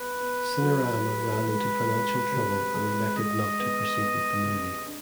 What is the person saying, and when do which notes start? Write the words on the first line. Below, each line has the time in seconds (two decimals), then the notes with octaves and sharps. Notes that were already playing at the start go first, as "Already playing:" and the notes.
Cinerama ran into financial trouble and elected not to proceed with the movie.
Already playing: B3 B4
0.20 B3
0.62 F#3
1.05 G4
1.47 G#3 B4
1.89 G#3
2.32 C3
2.74 G#3
3.17 G#3 D#5
3.60 B3
4.01 B3
4.45 C3
4.86 D4